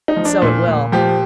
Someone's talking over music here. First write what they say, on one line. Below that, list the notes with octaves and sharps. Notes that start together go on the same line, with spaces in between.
And so it will.
D#4
F3
D4
A#2
A#2
F3 G4